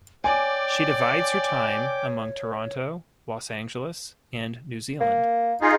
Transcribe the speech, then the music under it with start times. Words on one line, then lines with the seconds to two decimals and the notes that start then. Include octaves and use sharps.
She divides her time among Toronto, Los Angeles and New Zealand.
0.24 C#5 D5 G5 G#5 D6
5.01 A#3
5.62 D#4 F4 G#4